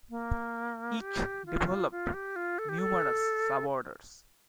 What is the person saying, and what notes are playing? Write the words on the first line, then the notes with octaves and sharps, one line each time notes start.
Each developed numerous sub-orders.
A#3
G4
F4
F4
G4
F4
A4
G4
A4